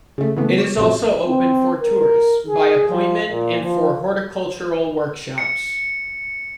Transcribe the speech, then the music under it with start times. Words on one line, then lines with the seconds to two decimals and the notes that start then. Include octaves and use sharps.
It is also open for tours, by appointment, and for horticultural workshops.
0.18 C#3 A3
0.37 C#3 E3 A3 B3
0.58 C#5 D6
0.77 A1 F2 C3 F3 F#3
1.26 C4
1.81 A#4
2.48 G#4
2.89 F3
3.29 A#2
3.60 F3
5.38 C#7